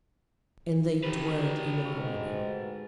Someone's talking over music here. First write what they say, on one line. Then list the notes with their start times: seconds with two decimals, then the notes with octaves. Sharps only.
And they dwelt in harmony.
1.04 A3 F#4 G4 A4 B4
1.94 G#2